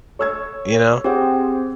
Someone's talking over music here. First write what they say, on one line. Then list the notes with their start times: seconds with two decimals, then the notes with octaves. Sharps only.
you know,
0.19 A4 C#5 E6 G#6
1.04 C4 G4 G#4 C5 F#5 G5